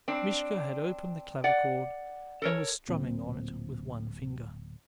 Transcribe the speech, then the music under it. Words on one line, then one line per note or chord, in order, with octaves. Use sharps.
Mishka had opened the clavichord and was strumming on it with one finger.
C4 D4
D5 F#5
A4 A#4 C#5
D1 A#2 C4